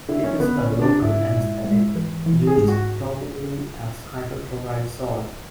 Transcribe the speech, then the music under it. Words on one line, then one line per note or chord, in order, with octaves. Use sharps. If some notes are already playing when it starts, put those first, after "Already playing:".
It is a local anesthetic, used topically as the hydrochloride salt.
D3 E4
C#4
D3 B3
C#4
D3
D4
G#2 E4
G#2
G#2
E3
E3
G#4
G#2
F#4